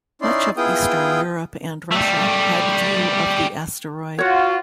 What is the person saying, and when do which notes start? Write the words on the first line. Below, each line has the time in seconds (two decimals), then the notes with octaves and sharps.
Much of eastern Europe and Russia had view of the asteroid.
0.22 C#4 D#4 E4 D5 C6
0.57 B3 E4 F4 G#4 G5 D#6
1.92 G3 A3
4.18 F4 F#4 C#5 F#5